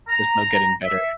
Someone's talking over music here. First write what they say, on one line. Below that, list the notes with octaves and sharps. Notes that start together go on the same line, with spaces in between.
there's no getting better."
A#5
E5